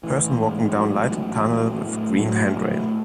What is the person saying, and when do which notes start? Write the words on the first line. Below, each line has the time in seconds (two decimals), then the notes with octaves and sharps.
Person walking down lighted tunnel with green handrail.
0.03 A1 E3
0.39 G#2
0.75 A1 F#3
1.11 A1
1.47 A1
1.84 A2
2.19 A2 F#3
2.55 A2